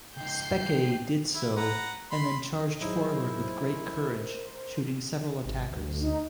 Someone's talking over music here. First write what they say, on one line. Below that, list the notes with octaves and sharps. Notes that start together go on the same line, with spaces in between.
Speke did so and then charged forward with great courage shooting several attackers.
C#2 D#4 G5 G6 C7
E4
B4 F#5 A#5
B5 C6
F#3 D#4 E4 G#4 A#4 C5
G#1
D2
D#4